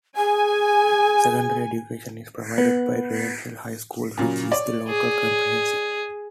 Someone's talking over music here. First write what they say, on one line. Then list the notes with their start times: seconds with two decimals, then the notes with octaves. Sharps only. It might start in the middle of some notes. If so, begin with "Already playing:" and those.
Secondary education is provided by Rainhill High School which is the local comprehensive.
0.16 G#4 G#5
2.58 B3
4.17 A#2 C#3 F#3
4.51 C#5 D5
4.88 G#4